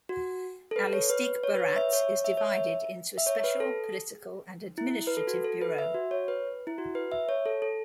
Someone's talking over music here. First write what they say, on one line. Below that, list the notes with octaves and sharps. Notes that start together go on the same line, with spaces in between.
Al-Istikhbarat is divided into a Special, Political and Administrative Bureau.
F#4
A4
B4
C#5
B4
C#5
B4
C#5
E5
C#5
E5
C#5
E5
E5
C#5
B4
A4
E4
B4
A4
F#4
A4
B4
E5
F#4
C#5
B4
E4
F#4
B4
E5
C#5
A4
A4